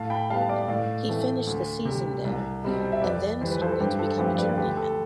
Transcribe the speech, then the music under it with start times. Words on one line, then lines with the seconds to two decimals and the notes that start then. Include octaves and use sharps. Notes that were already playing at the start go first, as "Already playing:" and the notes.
He finished the season there, and then started to become a journeyman.
Already playing: A2 F5 A5
0.10 G5 B5
0.30 G3 B3 F5 A5
0.49 D5 F5
0.68 A2 D5 F5
1.08 E3 A3 C4
1.47 D2
1.85 C3 G3
2.25 C2
2.64 B2 G3 C4
2.92 E5
3.02 F2 B4 D5
3.41 E3 G3 C5
3.52 B4
3.61 A4 C5
3.79 G2 G4 B4
3.99 A4 C5
4.18 F3 A3 C4 G4 B4
4.38 B4 D5
4.57 D2 G4 B4
4.77 A4